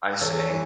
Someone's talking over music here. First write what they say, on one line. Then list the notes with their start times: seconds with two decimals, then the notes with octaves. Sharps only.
I see.
0.21 E2 A4 C#5
0.39 A4 C#5
0.49 E3